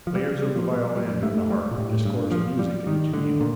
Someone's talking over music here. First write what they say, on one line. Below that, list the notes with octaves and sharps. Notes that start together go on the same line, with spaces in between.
Players of the violin and the harp discoursed music at each meal.
F3
G3
F3
G3
A3
G3
A#2
A2
G2
F3
G3
D#3
D3
A#2